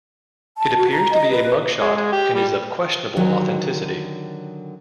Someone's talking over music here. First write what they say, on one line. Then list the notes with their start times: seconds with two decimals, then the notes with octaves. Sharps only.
It appears to be a mugshot and is of questionable authenticity.
0.58 A5
0.77 F#4
0.91 A#5
1.12 D#5
1.31 B4
1.80 G#3
1.96 G#3
2.12 G4
2.35 G3
3.16 D3 D#3 F#3 C#4 D#4 G4